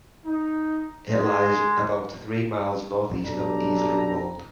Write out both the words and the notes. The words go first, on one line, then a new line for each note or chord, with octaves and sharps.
It lies about three miles north-east of Easingwold.
D#4
G#3
B1 D4 G4 A4 A#5